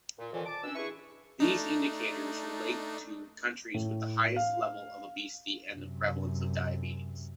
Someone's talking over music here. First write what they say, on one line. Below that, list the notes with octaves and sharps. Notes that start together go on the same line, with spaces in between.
These indicators relate to countries with the highest levels of obesity and the prevalence of diabetes.
A#2
F2 A#2 D#3 E3
A5 D6
B2 C#4 D4 E6
E4 G#4 B4 C#6
A3 D4 D#4
A2
F5
F#2 C3